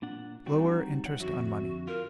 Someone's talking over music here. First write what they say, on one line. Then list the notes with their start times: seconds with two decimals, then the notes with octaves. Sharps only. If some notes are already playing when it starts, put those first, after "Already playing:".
Lower interest on money!
0.02 A#2 D4 F#5
0.46 G3 C4 D#4 F#4
1.05 C#5 D5 F#5
1.20 F2 D3 F#4 E5
1.88 F4 A#4